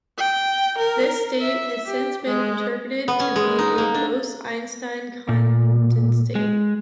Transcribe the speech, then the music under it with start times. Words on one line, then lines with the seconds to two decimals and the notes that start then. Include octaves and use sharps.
This state has since been interpreted to be a Bose-Einstein condensate.
0.17 G5
0.78 A#4
1.40 E5
1.86 G4
2.25 G#3
3.08 B3
3.20 C#4
3.36 G#3
3.59 D#4
3.78 A#3
3.94 D4
5.29 A#2
6.35 G#3